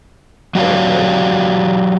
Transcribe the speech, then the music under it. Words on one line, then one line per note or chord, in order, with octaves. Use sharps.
Right, right.
F#3 F#4 G4 C#5 D5 F5